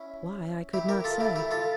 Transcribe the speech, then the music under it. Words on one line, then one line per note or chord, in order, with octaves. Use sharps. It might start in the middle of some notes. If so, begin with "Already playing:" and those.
Why, I could not say.
Already playing: C#4 E4
E4 G4
G4 A#4
F4 A4
E4 G4
E4 G4
F4 A4